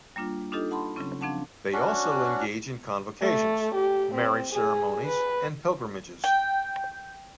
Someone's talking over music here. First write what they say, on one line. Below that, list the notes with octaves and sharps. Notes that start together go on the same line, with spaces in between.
They also engage in convocations, marriage ceremonies, and pilgrimages.
G3 A#3 D4 F4
D4 D#4 F4 G4 A4 D#5
F#5 A5 B5 C6
C#3 F#3 C4 C#4
F3 C4 D4 F#5 A5
C#4 D4 F#4
A3
G4
C4
G#4
B4
G5